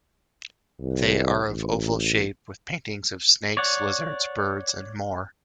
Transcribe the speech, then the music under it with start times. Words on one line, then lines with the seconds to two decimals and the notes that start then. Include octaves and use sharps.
They are of oval shape with paintings of snakes, lizards, birds and more.
0.80 C2
1.48 A1
3.57 C#5 D5 F#5